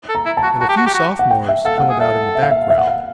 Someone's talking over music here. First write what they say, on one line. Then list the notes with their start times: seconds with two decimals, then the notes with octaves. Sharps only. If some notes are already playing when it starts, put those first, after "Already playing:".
And a few sophomores hung about in the background.
0.09 A4
0.15 A#5
0.26 E4
0.37 A5
0.43 F#4
0.61 F#4 A5
0.69 G4
0.77 F#4
0.86 G4
0.94 F#4
1.19 F#5
1.31 G5
1.48 E5
1.65 A4 F5
1.78 F#5
1.83 F5
1.89 G#4
2.00 A4 E5
2.35 E5
2.43 F5
2.51 E5
2.70 E5
2.78 F#5
2.87 F5